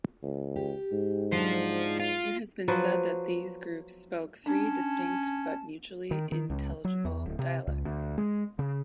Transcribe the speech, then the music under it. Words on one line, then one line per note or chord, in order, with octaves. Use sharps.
It has been said that these groups spoke three distinct but mutually intelligible dialects.
C#2
G4
G#2
F#3 D4 F4 C5
F4
F3 F#3 B4
C#4 D4 A5
D#3
D#3
C#2
F#3
E2
D1
C3
C#2
D2
G#3
C#3